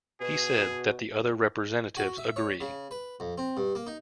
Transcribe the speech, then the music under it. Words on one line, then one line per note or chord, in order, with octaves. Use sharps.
He said that the other representatives agreed.
B2 G#4
F#4
E5
C#5
C#3
B4
F2
C4
G2
A#3
D#4